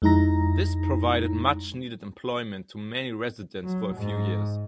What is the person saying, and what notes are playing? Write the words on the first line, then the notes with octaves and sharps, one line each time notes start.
This provided much needed employment to many residents for a few years.
F2 G#3 D#4 E4 A#5 A#6
F#3
G#2